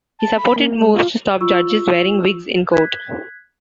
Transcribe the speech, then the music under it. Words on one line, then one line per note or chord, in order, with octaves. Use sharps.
He supported moves to stop Judges wearing wigs in court.
A5
B5
A#3
G#3
F4
F4 C#6 E6
F#6 G#6 B6